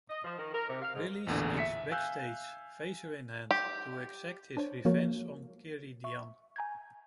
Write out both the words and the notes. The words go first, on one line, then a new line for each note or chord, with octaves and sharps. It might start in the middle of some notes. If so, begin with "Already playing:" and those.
Riley sneaks backstage, phaser in hand, to exact his revenge on Karidian.
D#5
F3
D#3
A#4
C3
F5
G#2
A1 E2 A#2 D3
E5 B6 C#7
F5 G#5 E6 F#6 G6
G4
D4 C5 C#5
F3 G#3 A#3 F#4 A#4 C#5
E5 C#6
G#5 A#5 G6 G#6